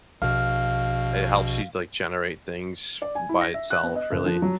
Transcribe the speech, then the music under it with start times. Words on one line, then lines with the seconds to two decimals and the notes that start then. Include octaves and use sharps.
it helps you, like, generate things by itself, really,
0.22 A#1 B2 F5
3.02 D5
3.15 G#5
3.29 E4
3.41 A#6
3.54 E5
3.70 F#6
3.83 B3
3.96 D#5
4.12 F#1
4.26 F3
4.42 F#3